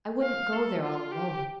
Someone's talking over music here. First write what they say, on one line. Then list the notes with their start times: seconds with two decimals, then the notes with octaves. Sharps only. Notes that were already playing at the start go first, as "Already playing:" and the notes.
"I wouldn't go there all alone."
0.23 F5
0.53 A4
0.82 F4
1.12 G4